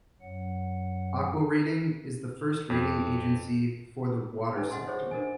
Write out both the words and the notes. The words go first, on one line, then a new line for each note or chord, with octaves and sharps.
AquaRating is the first rating agency for the water sector.
F#2 F#3 F#5
F2
C#4 D#4 B4 D#5 G#5
D#5 E5 F#5 C6
F4 G4 G#4 C5 C#5 E5
D4 A#4 C5 D#5 F#5 G#5